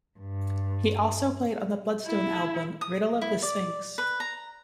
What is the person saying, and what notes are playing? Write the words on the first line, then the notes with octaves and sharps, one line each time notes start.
He also played on the Bloodstone album "Riddle of the Sphinx".
G2
E4
D#6
E4
D5
B4
A#5